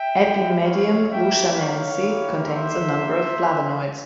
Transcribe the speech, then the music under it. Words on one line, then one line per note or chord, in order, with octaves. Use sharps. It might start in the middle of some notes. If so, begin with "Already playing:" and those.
"Epimedium wushanense" contains a number of flavanoids.
Already playing: E5 G5
G#3 E4 G4
C#5 F5
A#3 C#4 E4 G4 E5 G5
C#5 F5
A#3 E4 G4
C5 E5
A#3 F4